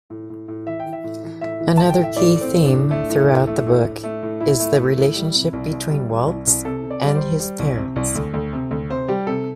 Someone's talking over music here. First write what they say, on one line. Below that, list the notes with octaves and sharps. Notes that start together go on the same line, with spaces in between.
Another key theme throughout the book is the relationship between Waltz and his parents.
A2
A2
A2
E3 E5
G5
E3
E5
A2
E3
A2 E5
E3
A2 A5
G5
A2
E5
A2 D5
A2
C4
A2
D4
A2
A3
A2
A2
A3
A2
A2
A3
A2
A2 E4
A3
A3
A2
G3
C3
C2
C2
G3
G3
C2
C2
C3 A4
C3
D5
G3
D5
C5
G3
G3
C2
C3
C2
D2
D2
C3
D2
C3 C5
G3 G4
C3 A4